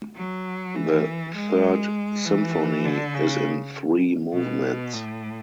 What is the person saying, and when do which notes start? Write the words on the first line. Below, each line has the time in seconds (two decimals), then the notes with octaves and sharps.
The Third Symphony is in three movements.
0.16 F#3
0.75 E3
1.35 G#3
2.25 E3
2.84 D3
3.14 C#3
4.34 B2
4.94 A2